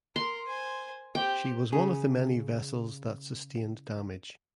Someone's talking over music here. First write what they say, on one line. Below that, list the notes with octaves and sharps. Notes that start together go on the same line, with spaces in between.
She was one of the many vessels that sustained damage.
A#4 C6
C5 G#5
C4 G4 G5
C#3 G#4